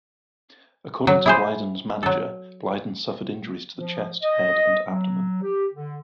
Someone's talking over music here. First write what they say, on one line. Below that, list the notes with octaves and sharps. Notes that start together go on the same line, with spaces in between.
According to Blyden's manager, Blyden suffered injuries to the chest, head and abdomen.
F#3
E4 G#4 C5
F#3 A4
F3
D#5
F#3
G4
D3